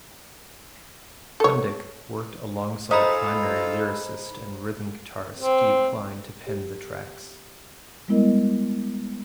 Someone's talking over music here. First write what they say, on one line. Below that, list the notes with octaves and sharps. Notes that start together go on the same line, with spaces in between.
Pundik worked alongside primary lyricist and rhythm guitarist Steve Klein to pen the tracks.
A4 C#5
D#4 F4 G#4 A4 C5 A#5 B5
C4
G4
G3 G#3 B3 E4 A#4 D#5